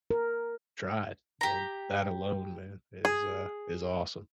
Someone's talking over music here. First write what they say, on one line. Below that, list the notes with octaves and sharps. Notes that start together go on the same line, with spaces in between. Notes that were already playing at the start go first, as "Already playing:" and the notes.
tried, and that alone, man, is, uh, is awesome.
A#4
G4 A#5
G#4